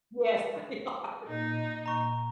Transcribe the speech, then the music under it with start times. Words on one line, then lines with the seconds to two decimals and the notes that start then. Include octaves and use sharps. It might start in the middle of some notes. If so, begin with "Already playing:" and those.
Yes. They are.
1.28 A#2 D#4
1.86 A#5 C#6